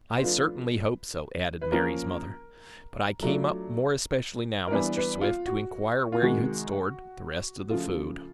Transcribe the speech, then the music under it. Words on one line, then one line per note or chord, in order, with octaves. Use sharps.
"I certainly hope so," added Mary's mother, "But I came up more especially now, Mr. Swift, to inquire where you had stored the rest of the food."
C5
F3 A3 D4 F4 B4
B4
F3 A#3 C#4 A#4
F#3 A3 D4 F4
A#4
E3 G3 B3 D4 B4
B4
F4
F#4
F4
C3 D#3 G#3 F#4
C#3 F3 A3 F4